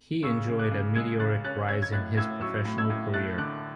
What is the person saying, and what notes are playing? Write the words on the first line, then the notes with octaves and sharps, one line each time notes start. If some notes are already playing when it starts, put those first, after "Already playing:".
He enjoyed a meteoric rise in his professional career.
C#3 C#6 E6
C#3
D6 F#6
C#3
G#3 E6 G#6
C#3 F#6 A6
C#4 F#6 A6
C#4 E6 G#6
G#6
A2 F#6 A6
A2 E6 G#6
F#3 C#6 E6
A2
E6 G#6
A2
A3 F#6 A6
D3 D6 F#6